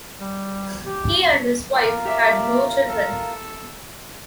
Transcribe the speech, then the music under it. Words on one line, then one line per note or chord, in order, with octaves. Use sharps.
He and his wife had no children.
G3
G4
F4 G4 A#4
G4 D5 E5
A4